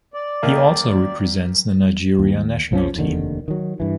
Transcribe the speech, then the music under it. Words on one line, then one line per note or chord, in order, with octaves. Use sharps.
He also represents the Nigeria national team.
D5
D#2 D#3 A#3
D#2
B1 F3 C4 C#4
F1 D#2 D3 D#3
D#3 F#3
G2 E3